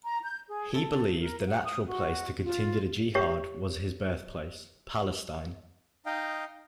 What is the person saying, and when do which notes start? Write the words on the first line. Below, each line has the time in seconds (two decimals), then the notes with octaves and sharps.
He believed the natural place to continue the jihad was his birthplace, Palestine.
0.04 A#5
0.25 G6
0.49 G#4
0.73 A4
1.16 A#4
1.47 F#5
1.65 D#6
1.88 F#4
2.44 F4
3.15 G4 C#5
6.06 D#4 D#5 F5 G5